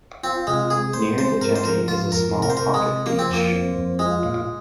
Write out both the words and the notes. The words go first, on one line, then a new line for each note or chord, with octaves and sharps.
Near the jetty is a small pocket beach.
C4 F4
C3 G#3
G#3 G#4
G#3 C5
C4 C5
G#2 A#4
C5
F3 A#4
G#2 F4
F2 A#4
C3
A#4
C5
C3 A#4
G#3
C3
F3 A#3
C4
F2 A#3
C4
F2
G#3 F4
A#2